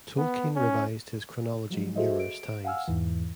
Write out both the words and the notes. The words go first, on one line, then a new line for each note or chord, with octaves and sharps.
Tolkien revised his chronology numerous times.
B3
C#4
F3 F#3 G#3
F#4 G#4 A4 C5 D#5 E5
D7
F5 F#5 G#5 E6 F6
E2 G#2 E3